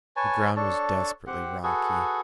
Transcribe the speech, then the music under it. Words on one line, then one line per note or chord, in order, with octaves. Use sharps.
The ground was desperately rocky.
B4 C#5 G#5 A5
D4 A4 C#5 A5
C4 G4 F#5
F#4 G#4 A4 B4